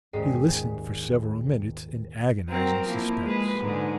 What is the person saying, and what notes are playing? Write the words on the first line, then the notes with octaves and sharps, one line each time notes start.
He listened for several minutes in agonizing suspense.
D#1 G#2 G#3 G4 C7
F#3 C4 A#4
F3 A#3 E4
G#3 G#4 B4
G#2 D3 G#3